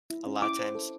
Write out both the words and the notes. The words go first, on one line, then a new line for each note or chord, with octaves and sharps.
a lotta times,
E4
C#4
E4 D6
C5
A4